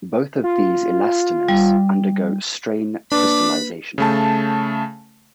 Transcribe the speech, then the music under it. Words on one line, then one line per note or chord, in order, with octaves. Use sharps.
Both of these elastomers undergo strain crystallization.
F4
G3
A#3 D4 B4 B5 D6
C#3 A3 A5